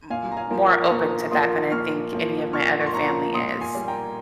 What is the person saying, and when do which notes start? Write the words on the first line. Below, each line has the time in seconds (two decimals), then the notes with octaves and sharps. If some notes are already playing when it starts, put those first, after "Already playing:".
m m more open to that than I think any of my other family is.
0.10 A#2 F5 G#5
0.32 A#5
0.37 F5 G#5
0.51 F3 A#3
0.86 D#6
0.91 A#2 A#5 C#6
1.31 F3 A#3 C6 D#6
1.72 A#2 C#6 F6
2.13 F3 A#3
2.53 A#2 C#6 F6
2.80 C#6
2.86 C6
2.93 F3 A#3 A#5 C#6
3.07 A#5 C#6
3.34 A#2 C6 D#6
3.61 G#5 C6
3.75 G3 A#3
3.88 G5 A#5